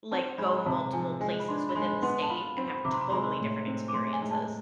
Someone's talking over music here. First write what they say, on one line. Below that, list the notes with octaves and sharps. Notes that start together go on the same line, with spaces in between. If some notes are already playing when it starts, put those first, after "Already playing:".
like, go multiple places within the state and have totally different experiences.
C4 A5
G#3 B5
C3 A5
F3 G#5
G#3 G#5
B5
D4 C6
B5
G#3 C6
B3 C6
A5
F4 B5
C4 B5
C3 D6
C6
B5
G#3 C6
A2
C4
D6
A2 C6
G#5
G#3
A5